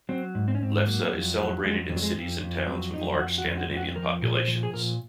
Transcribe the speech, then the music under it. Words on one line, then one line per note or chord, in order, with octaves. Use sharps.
Lefse is celebrated in cities and towns with large Scandinavian populations.
F#3 C4
G#2
C4
C#4
G#2 C4
F#3 A#3
F2
F#3
F2 G#3
F2
F#3
G#3
F2
F2
F#3 C4
F2 D#4
F2 F#4
F#4
F2
F#4
F2
F#4
F3 A#4
A#2
C5
F3
G#4
A#2 A#4